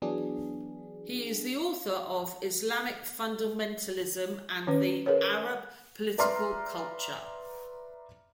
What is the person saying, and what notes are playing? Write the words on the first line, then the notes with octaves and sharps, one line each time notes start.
He is the author of "Islamic Fundamentalism and the Arab Political Culture".
E3 F#3 B3 D4 G#4
D#3 C#4 B4
G#4 A#4 B4 C#5
B4 D5 E5 A#5 C6 F6